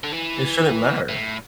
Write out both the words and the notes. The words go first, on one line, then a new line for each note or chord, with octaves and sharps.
it shouldn't matter.
D3
E3
A2